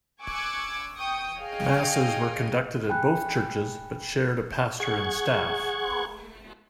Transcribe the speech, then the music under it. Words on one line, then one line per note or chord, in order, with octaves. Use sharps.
Masses were conducted at both churches, but shared a pastor and staff.
G#5 C#6 D6 E6 F#6 G#6
G5 C#6 D#6
G#4 C#5 D#5 F5 G5 G#5
G5 G#5 B5 F#6
G#4 F#5 C#6 G#6